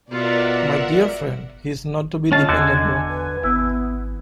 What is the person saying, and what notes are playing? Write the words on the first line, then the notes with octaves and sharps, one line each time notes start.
My dear friend, he is not to be depended on.
B2 F4 A#4 D5 E5 F#5
D3 C#4 F4 D#5 A5
E2 D3 F#4 G#5
B4
G#1 B3 E4